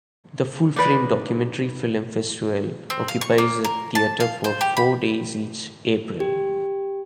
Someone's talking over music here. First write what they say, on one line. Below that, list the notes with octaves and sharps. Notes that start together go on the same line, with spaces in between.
The Full Frame Documentary Film Festival occupies the theater for four days each April.
D4 D#4 B4 D5
C4
F5
C#6
A#3
A#4
A5
F5
C5
G4
B5
G4